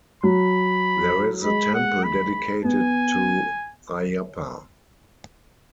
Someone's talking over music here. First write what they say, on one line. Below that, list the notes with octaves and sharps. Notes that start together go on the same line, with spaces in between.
There is a temple dedicated to Ayappa.
F#3 B5
G#3 B5
F#5
B5
B3 G#5